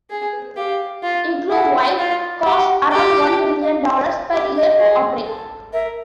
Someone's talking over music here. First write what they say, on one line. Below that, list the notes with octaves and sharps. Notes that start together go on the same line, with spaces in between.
"Igloo White" cost around one billion dollars per year to operate.
G#4
G4 F5
F4
E4 F#5
F4
G4 F#5
G4
E5
F5
G4 E5
D#5
G#4
A4
A#4 E5